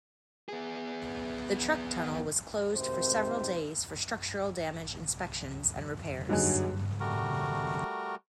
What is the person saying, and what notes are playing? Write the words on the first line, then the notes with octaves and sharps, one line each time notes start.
The truck tunnel was closed for several days for structural damage inspections and repairs.
B3 G#4
G#1 C3 D#3 C5
G2 D3 F#3 A#3 D#4 G#4 F#6
G3 A3 F#4 A#4